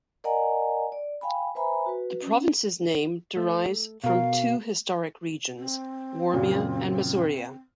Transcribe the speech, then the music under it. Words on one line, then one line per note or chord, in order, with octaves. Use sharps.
The province's name derives from two historic regions, Warmia and Masuria.
A#4 D5 D#5 F#5 G#5 A#5
D5
F5 G5 G#5 B5
B4 C5 E5 G#5 A#5 B5
F#4 B4
C#4
A3
B2 A#4 F5
C4
F#2 A#2 C#3